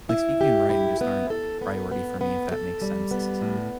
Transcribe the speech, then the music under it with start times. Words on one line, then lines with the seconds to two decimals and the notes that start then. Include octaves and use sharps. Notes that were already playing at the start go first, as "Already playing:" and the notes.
like, speaking and writing just aren't priority for me if that makes sense.
0.09 E4
0.41 G4
0.70 E4
1.01 B3
1.30 A4
1.61 B3
1.91 B3
2.21 B3
2.52 A4
2.81 G3
3.11 B3
3.41 A2